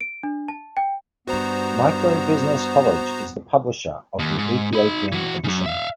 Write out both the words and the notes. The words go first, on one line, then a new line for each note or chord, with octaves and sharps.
Micro Business College is the publisher of the Ethiopian edition.
D7
D4
A5
G5
G2 B3 F#4 C5 A#5
D#2
G#2
D#4 B5
E3 F#4
F#2 C#3
E5 F5